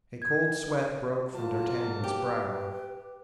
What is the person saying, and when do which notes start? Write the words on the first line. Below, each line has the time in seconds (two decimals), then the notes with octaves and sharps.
A cold sweat broke from d'Artagnan's brow.
0.22 G#6
1.34 F#3 A#3 F4 A5
2.04 G4 B4